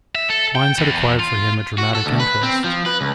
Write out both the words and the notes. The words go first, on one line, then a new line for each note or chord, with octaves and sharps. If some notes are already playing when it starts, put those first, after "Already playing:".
Mines had acquired for him a dramatic interest.
E5
A4
G5
E2
F4
F#4
A4
D2
B4
C4
F3
B4
C#2